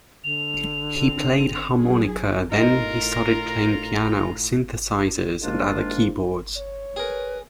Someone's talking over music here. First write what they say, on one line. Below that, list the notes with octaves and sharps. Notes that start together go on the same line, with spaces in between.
He played harmonica, then he started playing piano, synthesizers and other keyboards.
D3 F7
C4
F#3 G#4
A2 D#4 F4 A#4 A#5
G#2 D#3 G#3 A#3 D4 F4
C#5
G#4 A#4 B4